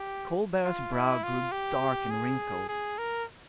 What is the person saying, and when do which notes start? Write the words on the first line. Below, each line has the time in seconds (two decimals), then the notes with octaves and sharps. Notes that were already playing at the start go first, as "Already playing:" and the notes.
Colbert's brow grew dark and wrinkled.
Already playing: G4
0.64 F4
0.93 E4
1.23 F4
1.52 G4
2.11 G#4
2.68 G#4
2.98 A#4